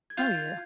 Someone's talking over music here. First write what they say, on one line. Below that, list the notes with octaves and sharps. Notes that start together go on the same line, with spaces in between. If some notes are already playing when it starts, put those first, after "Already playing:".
Oh, yeah.
G#6
F4 G6
G#6